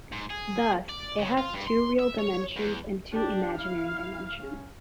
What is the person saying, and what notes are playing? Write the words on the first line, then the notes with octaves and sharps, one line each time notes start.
Thus it has two real dimensions and two imaginary dimensions.
G#2
G#4
D5
C#3
F4
G2
C6
E5
C#5
E2
D4 G4
E4 F5
C#4